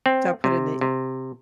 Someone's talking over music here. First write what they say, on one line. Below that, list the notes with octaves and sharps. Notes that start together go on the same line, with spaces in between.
So I'll put in the oh.
C4
C3
C3